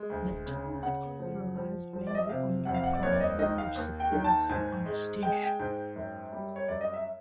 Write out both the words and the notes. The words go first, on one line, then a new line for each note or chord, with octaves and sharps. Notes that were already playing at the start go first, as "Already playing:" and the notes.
The town's economy relies mainly on black coal mining, which supports a power station.
Already playing: G#3
D2
C#3
C#3 F#5
F3
F3
F3
D5
D#5
E5
C3 F5
F2 F#5
F5
F#5
D5
D#2 C#5
D5
D#5
D#3 D#5
F5
D#2
G5
D#3
A5
G#2 G#5
G#3
G#3 G5
G#5
G5
G#2
F#2
G3
C#5
F#2 D5
D#5
E5